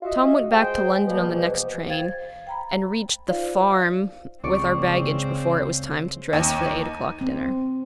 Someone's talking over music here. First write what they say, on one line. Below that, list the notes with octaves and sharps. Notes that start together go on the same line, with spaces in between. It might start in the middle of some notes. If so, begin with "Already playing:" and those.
Tom went back to London on the next train, and reached the "farm" with our baggage before it was time to dress for the eight-o'clock dinner.
F4 F#4 D#5 E5
G#3 C5 G5
B2 F3 G3 A#3
G#2 B2 E3
C5 F5 G5 G#6 A6
G5 A#5 B5
D#4 F4 C5 D5 F5
C#2 G#2 C#3 C4 D5 C#6 D6
D#2
C4